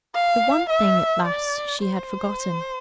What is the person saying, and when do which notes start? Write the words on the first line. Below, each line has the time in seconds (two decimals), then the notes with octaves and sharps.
But one thing--at last--she had forgotten.
0.14 F5
0.69 E5
1.25 D5
1.81 C5